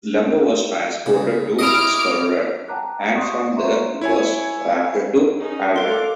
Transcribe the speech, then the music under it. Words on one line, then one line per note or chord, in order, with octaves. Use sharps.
Lumber was transported to Skulreud and from there it was rafted to Halden.
C#3
E4 D#5 D6 F6 D7
F#5 G5 A5 A#5 D6 F#6
F#5 C6 C#6 D#6 F#6
E5 A#5 C6 C#6
E4 C#5 G#5
C#4 D#4
A4 A#4 F5 C6 D6 F#6